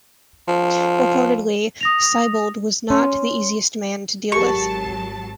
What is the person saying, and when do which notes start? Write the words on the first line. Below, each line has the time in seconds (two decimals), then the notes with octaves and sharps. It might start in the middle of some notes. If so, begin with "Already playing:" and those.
Reportedly, Siebold was not the easiest man to deal with.
0.48 F3
1.81 D#6 A#6 F7
2.90 C#4 C6
4.32 G#1 F#3 G4 G#4 A#4 A5 C#6